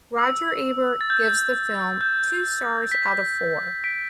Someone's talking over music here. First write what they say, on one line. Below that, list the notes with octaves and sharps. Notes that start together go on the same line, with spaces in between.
Roger Ebert gives the film two stars out of four.
E6
A6
G6
G6
B6
B6 D7